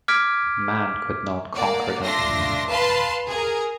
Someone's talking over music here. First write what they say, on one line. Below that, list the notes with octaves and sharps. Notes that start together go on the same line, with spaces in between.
Man could not conquer them.
D6 F6 G#6 B6 D7
A#3 D5 F#5
A3 D4 F4 C6 A#6
B4 F5 A5 B5 C6
G#4 A#4